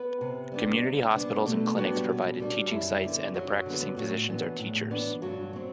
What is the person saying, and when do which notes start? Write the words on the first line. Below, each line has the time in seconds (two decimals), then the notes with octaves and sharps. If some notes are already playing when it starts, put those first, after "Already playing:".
Community hospitals and clinics provide teaching sites and the practicing physicians are teachers.
Already playing: B3 B4
0.21 C3
0.52 G3 B3 D4
0.84 C3
1.15 G3 B3 D4
1.46 B2 A3 A4
1.77 F#3 G3 B3 D4 F#4
2.09 B2
2.40 G3 B3 D4
2.72 F#2 E4
3.03 D3 G3 B3
3.34 F#2 F#3 F#4
3.66 D3 G3 B3
3.96 A2 F#3 F#4
4.29 E3 B3 D4
4.59 A2
4.91 E3 B3 D4
5.22 G2 F#3 F#4
5.53 F#3 C4